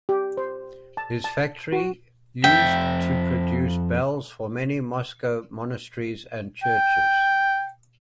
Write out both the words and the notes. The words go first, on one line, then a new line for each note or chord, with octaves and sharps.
His factory used to produce bells for many Moscow monasteries and churches.
G4
C5
A5
A5
F#4
F2 E5 G5
G5